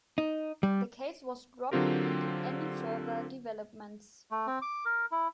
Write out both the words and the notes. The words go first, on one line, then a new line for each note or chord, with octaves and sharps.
The case was dropped pending any further developments.
D#4
G3
D3 F#3 C4 F4 G4 A#4
A3
C4
D6
A#4
E4